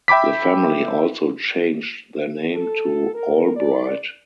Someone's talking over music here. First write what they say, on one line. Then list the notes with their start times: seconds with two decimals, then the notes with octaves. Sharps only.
The family also changed their name to Albright.
0.08 E5 G5 B5 D6 B6
2.54 A4
3.13 A#4
3.56 D5